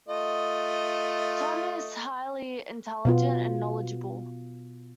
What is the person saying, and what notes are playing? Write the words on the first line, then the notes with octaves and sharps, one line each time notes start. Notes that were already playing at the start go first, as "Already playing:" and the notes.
Tom is highly intelligent and knowledgeable.
A3 F4 D#5
B2 B3 F4